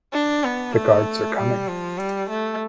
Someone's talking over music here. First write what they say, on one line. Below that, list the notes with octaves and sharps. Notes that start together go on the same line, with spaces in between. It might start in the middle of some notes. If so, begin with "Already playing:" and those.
The guards are coming.
D4
B3
A3
G3
F3
G3
A3